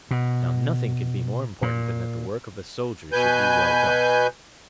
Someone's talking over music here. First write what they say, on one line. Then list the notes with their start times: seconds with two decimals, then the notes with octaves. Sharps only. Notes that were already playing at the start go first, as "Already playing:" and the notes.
Now nothing can be more important than that the work of a soldier should be well done.
0.11 B2
1.62 A#2
3.12 B2 B4 G#5 G6